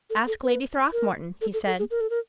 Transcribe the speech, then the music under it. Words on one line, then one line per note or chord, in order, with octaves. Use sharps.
"Ask Lady Throckmorton," he said.
A4
A4
B4
A#4
A4
A4
A4
G#4
A#4
A4
A#4